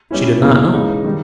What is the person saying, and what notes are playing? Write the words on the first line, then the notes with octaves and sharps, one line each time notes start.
She did not know.
G3 C#4 E4
B2 A#3 E4
C#3 E3 G#3 D#4
D#3 G3